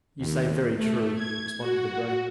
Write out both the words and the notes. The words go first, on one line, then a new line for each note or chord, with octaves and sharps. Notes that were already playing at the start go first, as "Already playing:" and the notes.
"You say very true," responded Debray.
D#2
A3
G#6
F#4